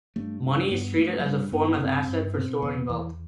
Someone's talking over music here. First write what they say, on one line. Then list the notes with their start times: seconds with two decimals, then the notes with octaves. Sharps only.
Money is treated as a form of asset for storing wealth.
0.16 G2 A3
0.43 G2
0.71 G2 B3
0.98 G2 A3
1.20 F#3
1.26 G2 G3
1.52 G2 B3
1.80 G2 C4
2.07 G2
2.34 B2 C4
2.62 E2 B3
2.89 E2 E3